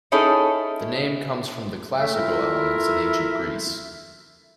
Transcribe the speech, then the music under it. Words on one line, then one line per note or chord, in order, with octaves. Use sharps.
The name comes from the classical elements in ancient Greece.
C#4 D#4 E4 G#4 A4 C#5
A3 E5
E4 F4 A4 A#4 E5